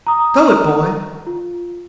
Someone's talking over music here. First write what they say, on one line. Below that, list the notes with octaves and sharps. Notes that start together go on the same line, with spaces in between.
"Go it, boy!"
A#5 D#6
F4